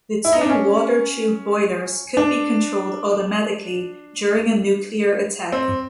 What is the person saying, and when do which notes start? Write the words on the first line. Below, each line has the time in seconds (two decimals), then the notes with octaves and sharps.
The two water-tube boilers could be controlled automatically during a nuclear attack.
0.25 E4
0.33 D#4
0.41 D4
0.50 C#4
2.17 D4
5.52 C4